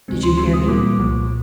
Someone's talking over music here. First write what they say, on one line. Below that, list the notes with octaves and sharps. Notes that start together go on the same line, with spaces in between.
"Did you hear me?"
D2 C3 F3 G#3 C4
C6
D2 D3 G#3 C4 C6
D#6
A#2 G3 A#3 D6
C2 A#2 F3